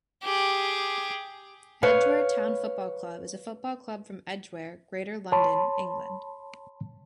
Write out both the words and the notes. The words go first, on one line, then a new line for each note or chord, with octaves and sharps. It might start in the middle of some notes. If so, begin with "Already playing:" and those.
Edgware Town Football Club is a football club from Edgware, Greater London, England.
G4 G#4
B4 C#5 F5
C#5 A5 B5 C6